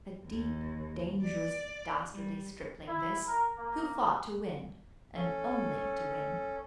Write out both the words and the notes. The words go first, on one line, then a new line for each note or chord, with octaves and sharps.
A deep, dangerous, dastardly stripling this, who fought to win and only to win.
D#2
D5
G3
E4
A#4
A#3
C#4 A4